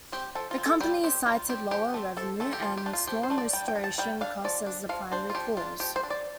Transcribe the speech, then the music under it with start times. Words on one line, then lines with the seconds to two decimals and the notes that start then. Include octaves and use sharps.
The company cited lower revenue and storm restoration costs as the primary cause.
0.12 C4 G4
0.35 F3 A4
0.51 F4
0.58 C4
0.66 A4
0.81 G3 G4
1.04 C4 G4
1.26 G3 F4
1.49 C4 G4
1.71 F3 G4
1.94 A3 C4
2.17 F3 A4
2.40 A3 C4 A4
2.53 G4
2.62 F3 F4
2.77 G4
2.86 A3 D4
2.93 F4
3.07 F3 G4
3.23 C5
3.30 A3 D4
3.38 D5
3.53 G3 G5
3.68 G5
3.75 D4
3.84 A5
3.98 G3 G5
4.21 D4 F5
4.44 F3 D5
4.66 D4
4.89 F3 F5
5.12 D4 C5
5.30 F4
5.35 F3 G4
5.57 D4 F4
5.80 F3 G4
5.96 C5
6.03 D4
6.10 D5